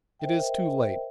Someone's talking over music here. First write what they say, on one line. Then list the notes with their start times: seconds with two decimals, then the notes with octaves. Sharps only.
It is too late.
0.19 A#4 C5 D#5 E5 G5